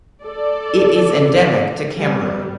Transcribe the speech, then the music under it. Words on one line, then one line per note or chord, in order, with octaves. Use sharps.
It is endemic to Cameroon.
A4 D5
G3